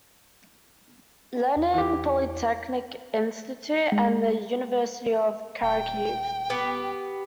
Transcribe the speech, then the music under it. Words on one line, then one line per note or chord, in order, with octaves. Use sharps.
Lenin Polytechnic Institute, and the University of Kharkiv.
E2
E3 G4
G#3
D#1 G5
B3 G4